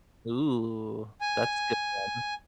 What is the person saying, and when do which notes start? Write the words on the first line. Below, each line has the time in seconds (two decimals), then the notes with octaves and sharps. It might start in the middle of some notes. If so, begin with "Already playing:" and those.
Ooh, that's good one.
1.21 G#5